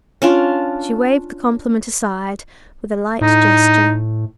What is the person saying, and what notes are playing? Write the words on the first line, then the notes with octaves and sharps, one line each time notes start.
She waived the compliment aside with a light gesture.
C#4 D4 F4
A2 D#4